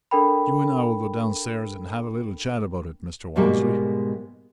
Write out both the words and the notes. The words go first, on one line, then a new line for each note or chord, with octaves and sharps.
"You and I will go downstairs and have a little chat about it, Mr. Walmsley."
D4 A4 A#4 G5 B5
G#2 B2 G3 G#3 A#3